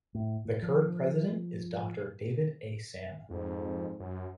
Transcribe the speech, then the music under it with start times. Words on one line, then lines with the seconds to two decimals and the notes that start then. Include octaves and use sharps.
The current president is Doctor David A. Sam.
0.15 A2
0.45 A2
0.62 F3
3.30 F2 G#2
4.00 F#2